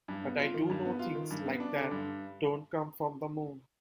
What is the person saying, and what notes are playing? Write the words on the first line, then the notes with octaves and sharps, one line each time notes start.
But I do know things like that don't come from the moon.
G2
B3
F4
D#3
G2
B3
F4
D#3
G2
B3
D4
D3
G2